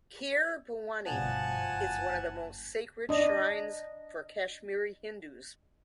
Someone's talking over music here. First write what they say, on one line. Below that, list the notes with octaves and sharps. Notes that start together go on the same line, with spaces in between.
Kheer Bhawani is one of the most sacred shrines for Kashmiri Hindus.
G1 B2 D3 F3 F#5 G#5 A5
F#1
D4 D#5